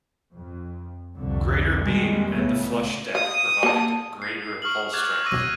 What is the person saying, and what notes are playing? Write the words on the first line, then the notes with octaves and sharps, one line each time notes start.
Greater beam and the flush deck provided greater hull strength.
F2
C2 F2 D3
F2 D#3 G3 G#3 A#3
C#2 A2 C#3 A3 B3
F5 D#6
A#3 A5
C7
C#6 D#6 F6 F#7
D6 F#6 G#6 A6
C#6 D6 E6 G#6 A#6 D#7